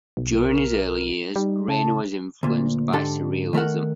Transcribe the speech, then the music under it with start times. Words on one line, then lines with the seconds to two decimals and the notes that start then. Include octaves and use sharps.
During his early years, Rainer was influenced by Surrealism.
0.17 B1
0.33 A#4
1.36 G3 D#4
1.68 C#3 A5
2.43 D2 A#2
2.93 G#2 D3 D4 G4 A4 A5
3.53 D#3 A3 A#4 F#5